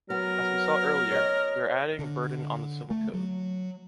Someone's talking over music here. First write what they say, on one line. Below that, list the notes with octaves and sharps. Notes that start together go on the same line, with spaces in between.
As we saw earlier, we are adding a burden on the civil code.
F#3 B3 A#4
C#5 D#5
D3
A3
F#3